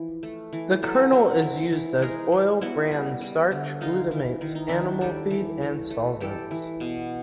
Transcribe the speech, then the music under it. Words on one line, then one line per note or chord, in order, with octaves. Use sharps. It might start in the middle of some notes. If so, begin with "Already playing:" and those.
The kernel is used as oil, bran, starch, glutamates, animal feed, and solvents.
Already playing: E3 F3
A3
E3
F#3 A4 B4
F#3
E3
E3
G#3 G#4 A#4
G#3
B3 E4 F#4
G3
G3
D3
G#3 D#4 F4
E3
D#3 E4
D#4
D#3 D4 E4
G3 G4 A4
E3
A3
A3
E3 G4 A4
E3
B2